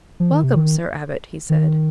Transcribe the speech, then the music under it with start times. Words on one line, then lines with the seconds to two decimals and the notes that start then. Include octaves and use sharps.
"Welcome, Sir Abbot!" he said.
0.20 F3
0.32 D#3
0.44 C3
0.56 D#3
1.50 D#3